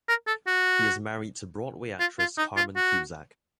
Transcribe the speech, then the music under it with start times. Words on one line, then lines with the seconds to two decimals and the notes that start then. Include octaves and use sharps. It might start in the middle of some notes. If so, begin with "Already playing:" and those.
He is married to Broadway actress Carmen Cusack.
0.09 A#4
0.27 A4
0.47 F#4
2.00 F4
2.19 F4
2.38 D#4
2.56 F4
2.76 F#4